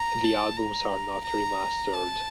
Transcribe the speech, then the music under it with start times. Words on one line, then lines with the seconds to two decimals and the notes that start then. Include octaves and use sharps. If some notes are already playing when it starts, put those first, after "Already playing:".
The albums are not remastered.
Already playing: A#5
0.24 A5
0.57 A#5
1.24 A#5
1.93 A5